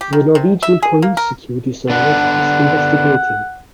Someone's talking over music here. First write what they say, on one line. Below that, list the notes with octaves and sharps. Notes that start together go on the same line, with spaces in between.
The Norwegian Police Security Service is investigating.
G4
D#3
C3
E5
G#4
A#3
A#4
D3 B3 D4 F#5